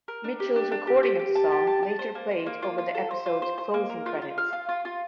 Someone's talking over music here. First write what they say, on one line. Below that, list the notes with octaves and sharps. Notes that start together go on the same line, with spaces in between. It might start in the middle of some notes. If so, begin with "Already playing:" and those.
Mitchell's recording of the song later played over the episode's closing credits.
A#4
D4
G4
D4
D4
G4
G4
G4
A5
G4
A5
A5
C5
A#3
C5
A#3
F4
F4
A4
C5
F4
C5
C5
A#3
A#4
F4
F4
F5
F4
F4
F4